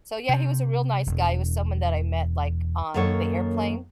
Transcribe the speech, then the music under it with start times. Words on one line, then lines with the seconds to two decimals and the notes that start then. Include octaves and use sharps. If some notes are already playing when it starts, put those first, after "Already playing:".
So yeah, he was a real nice guy, he was someone that I met, like, on the airplane,
0.29 C3
1.06 E1
2.94 F#2 D#3 A#3 A4 C#5